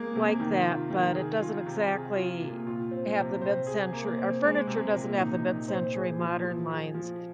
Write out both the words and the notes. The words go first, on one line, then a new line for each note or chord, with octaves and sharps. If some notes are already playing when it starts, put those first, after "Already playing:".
like that, but it doesn't exactly have the mid-centur our furniture doesn't have the mid-century modern lines.
Already playing: G#3 A#3 G#4
C3
D#3
F4
D#3
G#4
F4
C3
G#4
F4
A#2
F4
C4
C3
C5
G#4
A#3
C4
G#3
C3
A#2
D#4
A#2
C5
G#4
F3
F3
G#4
F3